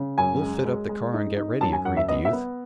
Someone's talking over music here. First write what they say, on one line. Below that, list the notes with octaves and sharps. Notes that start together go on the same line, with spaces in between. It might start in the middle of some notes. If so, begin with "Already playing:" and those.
"We'll fit up the car and get ready," agreed the 'youth.
Already playing: C#3
F#2 G#5
G#3
G#3
G#3
D#4
D#4
F#2 A5
G#5
F#2 F#5
E5
B3 D#5
E5
B3